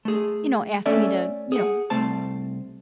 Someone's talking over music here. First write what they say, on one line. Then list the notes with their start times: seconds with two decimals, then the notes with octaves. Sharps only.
you know, ask me to, you know,
0.05 A3 G#4
0.86 A3 C#4 A4 D5 E5
1.52 G#4 F#5
1.90 C2 A3 C4 A5